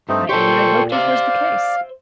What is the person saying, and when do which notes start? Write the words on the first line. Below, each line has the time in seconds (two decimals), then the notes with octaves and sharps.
I own I hoped it was the case.
0.09 G2 A3 C4 D#4
0.29 A#2 G4 A4 C5 C#6
0.92 C5 D5 E5 F5